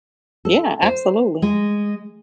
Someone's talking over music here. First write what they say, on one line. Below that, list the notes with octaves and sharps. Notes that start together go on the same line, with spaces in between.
Yeah, absolutely.
A4
C5
G#3